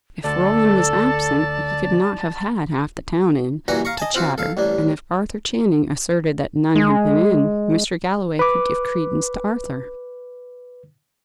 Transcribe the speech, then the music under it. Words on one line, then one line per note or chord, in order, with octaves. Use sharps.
If Roland was absent, he could not have had half the town in, to chatter; and if Arthur Channing asserted that none had been in, Mr. Galloway could give credence to Arthur.
D2 A4 D5 A5
A#1 G2 E3 F#4 G#5 A#5
F5 A#5 C#6
D#5 G#5 A5
C4 F4 F#4
A4 F5
A1 G2 D4
G#3
B4 D6